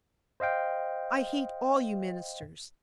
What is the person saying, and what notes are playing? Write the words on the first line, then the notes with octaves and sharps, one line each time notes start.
I hate all you ministers.
C5 D#5 F5 G5